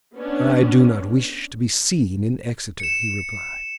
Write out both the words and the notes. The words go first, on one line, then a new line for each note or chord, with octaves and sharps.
"I do not wish to be seen in Exeter," he replied.
B3 C#4 D4
C#7 E7